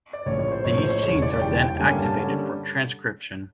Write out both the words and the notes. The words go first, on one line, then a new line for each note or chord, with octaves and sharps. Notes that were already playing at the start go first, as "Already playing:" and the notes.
These genes are then activated for transcription.
D5
A#1 A2 F3 A#3 C#4 C#5
C#5
C5
A#1 A2 F3 A#3 C#4 C#5
C5
C#5
E1 D#2 C#3 E3 C#5
D5
E1 D#2 C#3 E3 G5
G5
G2 D3 G3 A#3 C#4 G#5
A5
D3 G3 A#3 C#4